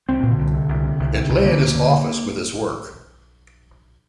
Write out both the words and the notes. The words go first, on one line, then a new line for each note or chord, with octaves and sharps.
It lay in his office with his Work.
C2 C4
A#2
D3
C2
C3
C2
C3
C2
C3
C2
D3 A#3
D2
D3